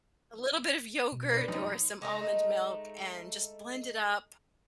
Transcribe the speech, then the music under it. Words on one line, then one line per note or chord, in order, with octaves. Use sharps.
a little bit of yogurt or some almond milk, and just blend it up.
B2
D4 B4
F#2 D#4
G#3 A3 D#4